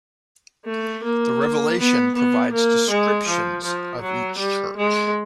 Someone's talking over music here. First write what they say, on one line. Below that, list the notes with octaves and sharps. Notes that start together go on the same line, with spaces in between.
The Revelation provides descriptions of each Church.
A3
A#3
B3
B3
A#3
G#3
F3
F3
F#3
G3
G#3